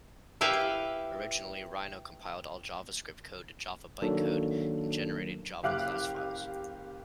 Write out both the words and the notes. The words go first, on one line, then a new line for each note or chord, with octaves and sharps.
Originally, Rhino compiled all JavaScript code to Java bytecode in generated Java class files.
E4 G4 B4 E5 F5
D#3 F#3 A#3 D4 A4
F#1 G4 F5 D6 F#6